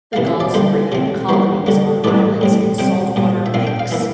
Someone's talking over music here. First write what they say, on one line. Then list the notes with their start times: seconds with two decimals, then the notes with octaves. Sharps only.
The gulls breed in colonies on islands in saltwater lakes.
0.13 C3 E3 A#3 F5
0.27 E5
0.40 D5
0.54 D3 G3 A#3 C5
0.92 C3 F3 C4
1.29 E3 G3 A#3 C5
1.66 D3 G3 A#3
2.04 A2 E3 G3 C4 D5
2.41 A2 G3 C4
2.78 C3 G3 C4 G5
3.16 A#2 G3 A#3
3.46 E5
3.54 A#2 F3 C4 F5
3.67 G5
3.79 F5
3.91 E3 A#3 E5